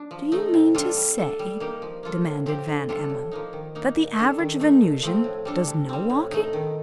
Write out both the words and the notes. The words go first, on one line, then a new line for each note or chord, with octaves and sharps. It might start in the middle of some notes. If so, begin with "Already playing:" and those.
"Do you mean to say," demanded Van Emmon, "that the average Venusian does no walking?"
Already playing: D4
F3
A3 D#4
C3
G3 D4 F4 A4
G3
D4 A4
G3
A#3 D#4 G4
F3
A#3 F4 A4
A2
F3 C4 G4
D3
G3 D4 F4 A4
A2
F3 A#3 D#4
D#3
A#3 D#4
A#2
G3 D4 A4
D#3
A3 D#4
A#2
F3 A3 C4
A2
G3 D4 A4
C3
G3 C4
A2
A3 D#4
D#3